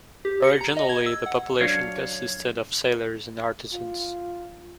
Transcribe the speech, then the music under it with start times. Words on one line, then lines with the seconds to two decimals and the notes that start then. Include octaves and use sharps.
Originally, the population consisted of sailors and artisans.
0.25 G4
0.44 C#7
0.61 A#5
0.77 D#5
0.89 G#6
1.06 E6
1.26 F#5
1.61 F#3 D4 C#5 F5
3.73 F4